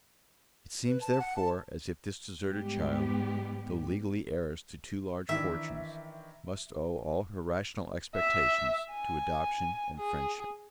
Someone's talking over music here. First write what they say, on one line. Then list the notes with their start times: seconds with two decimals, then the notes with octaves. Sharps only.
It seems, therefore, as if this deserted child, though legally heiress to two large fortunes, must owe all her rational expectations to adoption and friendship.
0.87 B4
1.01 A5
1.20 F#5
1.36 A5
2.47 G#2 G3 B3 G4
5.29 D#3 E3 D4 E5
8.16 E5
8.92 G#5
9.97 G#4